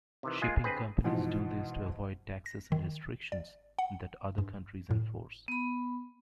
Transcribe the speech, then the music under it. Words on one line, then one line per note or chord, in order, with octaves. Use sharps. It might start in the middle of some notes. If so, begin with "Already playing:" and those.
Shipping companies do this to avoid taxes and restrictions that other countries enforce.
C3 D#3 E3
G#3 A#3 F4 G#4
D3 C4 G#4 B4
G#2 B2 E3 F3
A#6
D#3
D5
F#5
G2
A2
B3 B5